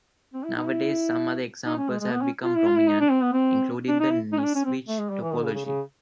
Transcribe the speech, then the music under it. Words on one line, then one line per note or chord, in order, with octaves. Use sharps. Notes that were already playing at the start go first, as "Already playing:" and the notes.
Nowadays some other examples have become prominent, including the Nisnevich topology.
C4
E4
D#4
E4
D#4
C#4
G#3
G#3
B3
C#4
F4
E4
F4
E4
D#4
D4
C4
B3
C4
D4
D#4
E4
D#4
C#4
D4
C#4
C4
A3
G#3
G3
E3
D#3
C#3
C#3
C#3